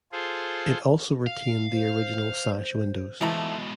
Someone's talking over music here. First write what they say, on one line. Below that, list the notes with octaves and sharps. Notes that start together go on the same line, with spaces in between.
It also retained the original sash windows.
F4 G#4 A4 C5
F5
C5
G#2 B2 E3 F3 A3 A#5